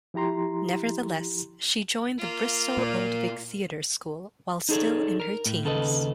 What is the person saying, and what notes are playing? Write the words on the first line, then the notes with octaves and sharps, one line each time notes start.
Nevertheless, she joined the Bristol Old Vic Theatre School while still in her teens.
F3 E4 G4 A#5 C6
A#3 F4
A#2
D#4 G#4 A4 C#5 D5
A#4
A2
D#2 C#3 A4 B4 D#5